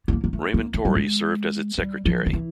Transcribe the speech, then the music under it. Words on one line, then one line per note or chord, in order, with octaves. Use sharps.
Raymond Torrey served as its Secretary.
B3
A#3
A#3
A3
A#3
A3
G3
G#3
G3
F3
D#3
E3